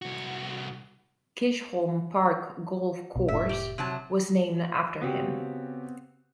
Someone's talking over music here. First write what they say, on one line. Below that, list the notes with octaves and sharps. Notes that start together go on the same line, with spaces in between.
Chisholm Park Golf Course was named after him.
C2 F#4
B1 B2
F1 A2 E5
G4
C3 F#3 A5
C#3 B3 C4 F#4 G4